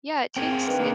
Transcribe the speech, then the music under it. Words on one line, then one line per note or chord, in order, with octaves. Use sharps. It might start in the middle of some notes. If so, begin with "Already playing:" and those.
Yeah, it takes it
C4 G#4 A#4 G5
F4
D#3 D4 B4
A#3 D#4 G#4